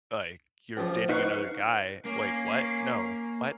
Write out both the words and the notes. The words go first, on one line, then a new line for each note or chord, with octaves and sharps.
Like, you're dating another guy, like, what? No. What?
C#2 F3
D#4 B4 C5 F5 F#5 C#6
A#3 C#4 C7